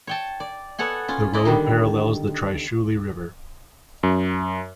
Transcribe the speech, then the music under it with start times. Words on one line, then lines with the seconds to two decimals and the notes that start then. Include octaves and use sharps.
The road parallels the Trishuli River.
0.07 C#5 G5 A5
0.40 D5
0.78 B3 A4 C#5 F#5 G#5
1.08 C#4 F4
1.33 E4 D5 D#5
1.45 D3 D#3 G3
4.03 F#2